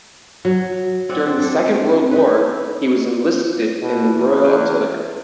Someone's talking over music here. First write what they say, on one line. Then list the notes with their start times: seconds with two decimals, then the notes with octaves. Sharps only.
During the Second World War he was enlisted in the Royal Artillery.
0.45 F#3
1.09 C4 D5 F#5
1.38 D4 A4
2.11 D#4 B4
3.82 B2
4.15 E2